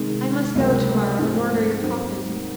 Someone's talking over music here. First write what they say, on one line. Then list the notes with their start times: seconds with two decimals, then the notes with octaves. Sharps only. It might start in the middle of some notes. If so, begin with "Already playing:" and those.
I must go to-morrow and order your coffin.'
Already playing: C3 D#3 G#3 D#4
0.55 C#2 C3 F#3 A#3
1.19 G#2 F3 C4
1.82 D#2 D#3 F#3 C4 D#4